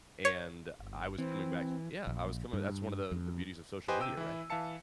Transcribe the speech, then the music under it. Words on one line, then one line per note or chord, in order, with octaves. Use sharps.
and I was coming back Yeah. I was coming that's one of the the beauties of social media, right?
C#5
G1
E3 C4
A#1
G2
F2
G4 B4 C5 D#5 G5 G#5
C3 G5 E6 D#7
E3 E4
E3 E5 F5 A5 C#7